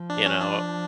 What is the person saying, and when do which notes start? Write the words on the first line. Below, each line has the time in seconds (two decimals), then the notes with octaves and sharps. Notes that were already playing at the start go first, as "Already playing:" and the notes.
you know?
Already playing: F3
0.10 D4
0.26 C#4
0.42 D4